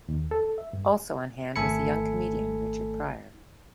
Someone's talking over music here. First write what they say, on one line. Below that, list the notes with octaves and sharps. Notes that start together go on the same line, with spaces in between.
Also on hand was the young comedian Richard Pryor.
D#2
A4
E5
G2
G#1 A3 A4 G#5 B5 C#7